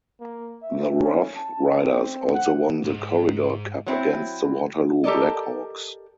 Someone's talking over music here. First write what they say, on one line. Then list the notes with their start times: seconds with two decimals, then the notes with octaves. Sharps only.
The Roughriders also won the Corridor Cup against the Waterloo Black Hawks.
0.20 A#3
0.63 E5
1.01 C#4
1.36 A5
1.78 C4
2.33 F#5
2.84 B1 G#2
3.86 F#3 C4 E4
5.04 G4 A4 A#4 D5 D#5